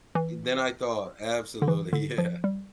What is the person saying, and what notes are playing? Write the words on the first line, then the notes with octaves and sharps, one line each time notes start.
Than I thought, absolutely. Yeah.
E3
D3
E3
D3
F3
G3